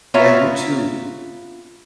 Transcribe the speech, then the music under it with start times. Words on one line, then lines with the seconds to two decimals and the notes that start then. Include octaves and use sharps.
Yeah, you too.
0.14 B3 F4 C#5 E5 F5 A#5